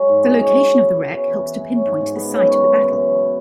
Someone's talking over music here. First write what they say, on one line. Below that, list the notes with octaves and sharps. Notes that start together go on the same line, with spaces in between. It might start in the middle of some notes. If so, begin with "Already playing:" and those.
The location of the wreck helps to pinpoint the site of the battle.
Already playing: F#3 G#3 E4
G#2
G#4
C#4
F#3
C#3
E4
B3
C#4
E3
E3
G#4
F#3
G#2
G#2
B3
C#3
F#2
F#2
E3
C#3
F#2
B3